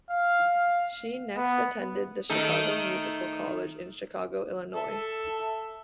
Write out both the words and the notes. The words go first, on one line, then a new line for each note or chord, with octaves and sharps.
She next attended the Chicago Musical College in Chicago, Illinois.
F5
B3
D#3 A3 D#4
A4 E5